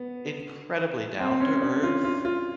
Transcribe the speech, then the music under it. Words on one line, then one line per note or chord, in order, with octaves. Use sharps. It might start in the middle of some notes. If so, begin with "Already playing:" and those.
incredibly down-to-earth,
Already playing: B3
C4
C4
C#4
D4
F4
F4
F4